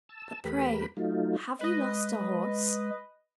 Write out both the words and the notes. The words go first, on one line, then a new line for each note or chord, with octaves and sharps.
But, pray, have you lost a horse?
A5 E6
E2 A3 G4 A#4 B4 B5
F#3 A3 D#4 F4
G#3 B4 D#5